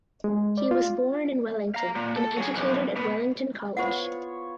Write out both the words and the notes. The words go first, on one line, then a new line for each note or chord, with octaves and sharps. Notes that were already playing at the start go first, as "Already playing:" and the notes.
He was born in Wellington and educated at Wellington College.
G#3
D5
F4
F5 A#5
A#2
A4
F#3 G#4
B1 F2
B2 B3
B3 F4 C5 C#5 F#5